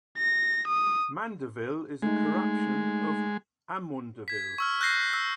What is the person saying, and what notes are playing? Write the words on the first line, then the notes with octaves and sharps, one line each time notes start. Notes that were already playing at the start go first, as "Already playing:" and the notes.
"Mandeville" is a corruption of "Amundeville".
A#6
D#6
G#3 A3 D#4
G#6 B6
C#6 E6 F6
F#6 G6 A#6 C7
E6